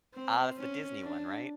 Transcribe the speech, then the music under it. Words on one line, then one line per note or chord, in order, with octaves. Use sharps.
Ah, that's the Disney one, right?
C4
C#4
D4